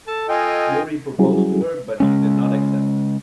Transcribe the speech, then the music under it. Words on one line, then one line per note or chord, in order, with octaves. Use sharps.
Fury proposed to her, but she did not accept.
A4 A5
F4 D#5 G5 G#5
C#2
F#3 G3 C#4 E4 F#4 G#4
C#3 G#3 C#4